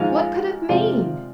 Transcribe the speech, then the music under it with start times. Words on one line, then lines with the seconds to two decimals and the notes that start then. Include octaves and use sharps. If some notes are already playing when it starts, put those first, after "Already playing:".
What could it mean?
Already playing: G#2 F3 G#3 F5 G#5
0.69 C3 F3 G#3 D5 F5